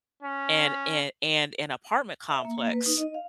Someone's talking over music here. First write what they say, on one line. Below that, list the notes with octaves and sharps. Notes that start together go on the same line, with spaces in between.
and and and an apartment complex.
C#4
E5
A#3
A#3
B4
D#4
D#5
F5